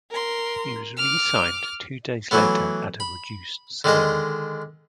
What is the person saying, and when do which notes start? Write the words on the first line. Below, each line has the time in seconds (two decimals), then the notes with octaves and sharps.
He was re-signed two days later at a reduced salary.
0.11 A#4 C6
0.97 D6 F6
2.31 E3 F#3 A3 B3
3.00 B5
3.84 D3 D#3 G#3 D#5